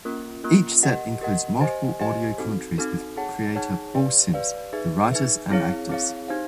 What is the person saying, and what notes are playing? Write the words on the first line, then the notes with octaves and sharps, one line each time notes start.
Each set includes multiple audio commentaries with creator Paul Simms, the writers and actors.
A#3 C#4 F4 A#4
A#3 C#4 F4 A#4
G4 A#4 D#5 F#5
G4 A#4 D#5 F#5
G4 C5 D#5 G#5
G4 C5 D#5 G#5
C4 D#4 F#4 A4
C4 D#4 F#4 A4
D#4 G#4 C#5 F#5 A5
D#4 G#4 C#5 F#5 A5
G4 B4 D5 F5
G4 B4 D5 F5
D#4 G#4 B4 E5
D#4 G#4 B4 E5
C4 E4 G#4 C#5 F5
C4 E4 G#4 C#5 F5
D#4 G4 C5 F5